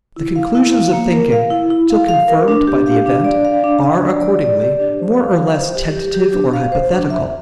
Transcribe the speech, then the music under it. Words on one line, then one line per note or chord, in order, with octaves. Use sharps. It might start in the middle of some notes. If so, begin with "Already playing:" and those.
The conclusions of thinking, till confirmed by the event, are, accordingly, more or less tentative or hypothetical.
E4
F5
E4
F5
A#3
A#4
F5
E4
E4
F5
F5
A#4
D4
G4
F5
D4
D5
F5
D4
D4
D5
D5
D5
G4
D4
C5
F5
F5
C5
G4
G4
G4
D4
F5
C5
D4
E5